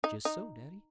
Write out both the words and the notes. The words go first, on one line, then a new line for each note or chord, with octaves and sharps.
"Jist so, daddy."
D#4
D#4